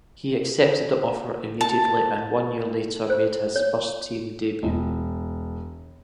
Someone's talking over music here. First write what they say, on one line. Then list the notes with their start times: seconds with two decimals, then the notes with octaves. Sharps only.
He accepted the offer immediately and one year later made his first team debut.
1.61 A5
3.10 C5
3.56 C#5
4.63 E1